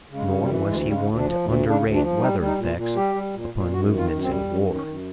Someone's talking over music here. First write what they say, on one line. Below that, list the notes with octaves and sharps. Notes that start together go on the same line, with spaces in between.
Nor was he one to underrate weather effects upon movements in war.
C#3
G#3
F#2
G3
E3
D2 G#3
C#3 G3
G#3
D2
D4
F3
D2
C#3
D4
D2
D4
F3
G3 D#4
G3
D#4
A#2
A#2
G3 G4
G3
A#2
A#2
F#2 F#4
D#3
F4
F#2
C4
G3
F#2
D#3
C#4
F#2